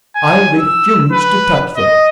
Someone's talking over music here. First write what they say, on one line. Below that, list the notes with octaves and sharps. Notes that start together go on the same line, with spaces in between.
"I refuse to touch them."
G#5
E6
B4
D#5